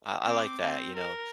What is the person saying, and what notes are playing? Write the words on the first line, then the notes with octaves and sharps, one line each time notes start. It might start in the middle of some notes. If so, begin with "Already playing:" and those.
I I like that, you know,
C4 D6
C4
A#4